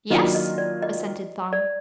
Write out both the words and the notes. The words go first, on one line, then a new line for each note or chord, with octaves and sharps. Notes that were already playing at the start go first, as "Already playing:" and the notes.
"Yes," assented Thong.
D#3 F#3 A#3 D4 F4 D#5
D#5
D5
D#5
D5